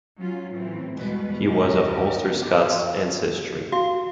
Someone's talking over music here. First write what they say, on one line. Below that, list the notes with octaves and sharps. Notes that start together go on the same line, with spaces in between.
He was of Ulster Scots ancestry.
F#3 C#4 F4
A2 E3 F#3 C4
E2 B2 G3 G#3 B4
D#2 G#2 D3 G4 A#4 D#5
B3 G4
F#4 F5